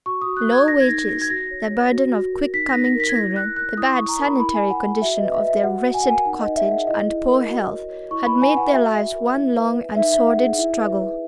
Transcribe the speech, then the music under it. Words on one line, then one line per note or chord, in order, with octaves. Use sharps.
Low wages, the burden of quick-coming children, the bad sanitary conditions of their wretched cottage, and poor health, had made their lives one long and sordid struggle.
F#4 C#6
F#4 D#6
F#6
A#4
G#6
D#4 A#6
G#6
D#4 A#6
F#4 A#6
G#6
F#4 A#6
C#5
C#5
F#4
F#4
A#4
D#4 B6
A#6
D#4
A#6
A#4 B6
G#6
E4 A#6
E4 F#6
A#4 F#6
E4 D#6
C#6
E4
A#5
A#4 B5
E4 B5
G#5
E4
F#5
G#4
F#4 E5
D#5
B4
E5
B4
E5
F#4 F#5
F#4 F#5
G#5
A#4 F#5
G#5
D#4 F#5
D#5
D#4
E5
G#4 F#5
E4 D#5
E4
A#4
F#4
C#5
C#5
E4 C#6
B5
B4
G#5
B4
F#5
F#4 E5
F#4
A#4
E4
B4
B4
D#4 E5
E5
D#4
F#5
G#4
F#5
E4 E5
B4
E5
B4